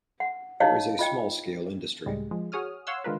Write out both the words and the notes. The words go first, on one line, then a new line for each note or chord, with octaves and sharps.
There is small scale industry.
F#5
D#4 E4 C#5 D#5 F5
F4 D#5 G5
C#2 A2 G3 G#3
F3 G#3
F#4 G#4 C#5 D#6 F6
C#5 F5 F#5 C6 E6
D3 D#3 G#3 F4 A#4 B4